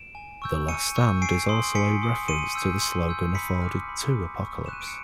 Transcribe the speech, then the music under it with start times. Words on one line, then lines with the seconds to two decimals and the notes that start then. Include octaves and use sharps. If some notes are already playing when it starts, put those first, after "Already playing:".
'The Last Stand' is also a reference to the slogan afforded to Apocalypse.
Already playing: D7 E7
0.15 G#5
0.42 C#6 E6 G6
0.68 G#5 C#7 D#7
0.95 C#6 E6 G6
1.22 G#5 C7 D7
1.49 C6 D#6
1.75 G#5 B6 C#7
2.02 C6 D#6
2.28 C6 C#7 D#7
2.55 E6 G6
2.82 C6
3.09 E6 G6
3.35 B5 B6 C#7
3.61 D6 F6
3.89 B5
4.15 D6 F6
4.42 C#6
4.66 E7
4.68 F#6 D#7
4.81 D7
4.88 C#7